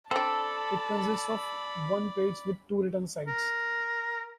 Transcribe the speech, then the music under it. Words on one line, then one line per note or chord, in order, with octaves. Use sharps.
It consists of one page with two written sides.
C4 D4 A4 D5 A5 B5
A#4